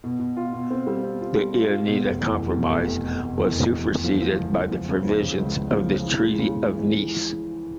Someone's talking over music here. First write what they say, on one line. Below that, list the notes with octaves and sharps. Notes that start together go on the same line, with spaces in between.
The Ioannina compromise was superseded by the provisions of the Treaty of Nice.
B2
B2
F4
B2
C4
G3
C4
F4
G3
F4
F4
B2
F1
E2
F1
B2
F1
F1
B2
F1
E2
F1
F1
E2
F3
F3
C#2
F3
F3
C#3
F3
C#3
C#2
C#2
F3
C#3
E3
G#3
C#3
C#3
E3